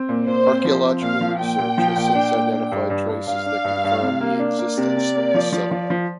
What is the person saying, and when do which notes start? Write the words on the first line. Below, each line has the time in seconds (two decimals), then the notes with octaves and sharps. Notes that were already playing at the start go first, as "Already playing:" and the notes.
Archaeological research has since identified traces that confirm the existence of this settlement.
Already playing: C4
0.09 A#2
0.27 A#2 C5
0.46 C4
0.65 F3
0.84 C4
1.02 A#2 F5
1.21 F3
1.39 A#2 G5
1.58 A#2
1.78 F3
1.96 A#2
2.15 D4
2.33 A#2
2.52 D4
2.72 G2
2.90 G2
3.09 G2
3.27 G2 F5
3.46 D4
3.65 G2
3.84 G2
4.02 C3
4.21 A#3
4.39 D4
4.59 A#3
4.77 C3 D5
4.96 C3
5.15 A#3
5.34 F3
5.52 F3
5.71 F3
5.90 F3